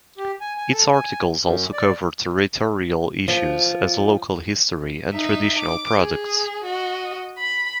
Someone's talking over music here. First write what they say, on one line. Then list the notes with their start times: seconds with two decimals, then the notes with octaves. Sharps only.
Its articles also cover territorial issues as local history and traditional products.
0.18 G4
0.41 G#5
0.57 G#5
0.73 A4
0.92 G#5
1.42 F#2
1.73 D5
3.28 F3
5.13 D#4 E5
5.60 D6
5.94 G#4
6.64 F#4 D#5
7.39 B5